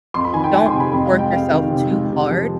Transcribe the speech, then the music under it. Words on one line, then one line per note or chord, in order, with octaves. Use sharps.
don't work yourself too hard
F2 C6
B5
D#3 G#5
G5
G#3 G#5
C6
C3
B5
F2
F5
G#3
G5
F2 F5
D#3
C3
G#3
C3
F3